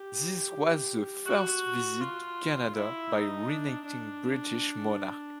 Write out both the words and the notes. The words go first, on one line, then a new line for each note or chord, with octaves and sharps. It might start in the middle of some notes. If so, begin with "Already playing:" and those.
This was the first visit to Canada by a reigning British monarch.
Already playing: G4
F#4
F4
E4
D#4
D4
D4